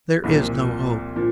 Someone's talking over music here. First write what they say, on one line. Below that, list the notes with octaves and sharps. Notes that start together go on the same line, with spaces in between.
There is no hope.
C2 A#2 F3
A#2 F3